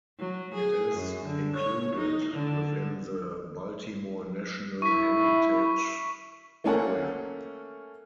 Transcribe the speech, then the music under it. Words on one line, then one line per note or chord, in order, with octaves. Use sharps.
It is included within the Baltimore National Heritage Area.
F#3
G#4
F#2
D3
C#5
D#4
D3
E4 C#6 B6
A3 A#3 C#4 A4 A#4 F#5